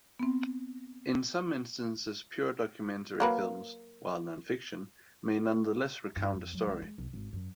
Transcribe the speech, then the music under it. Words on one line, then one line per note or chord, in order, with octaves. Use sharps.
In some instances pure documentary films, while nonfiction, may nonetheless recount a story.
B3 C4
F#3 A#3 B4
G2
F2
F#3
C#2
G#3
B1
G#1
F#2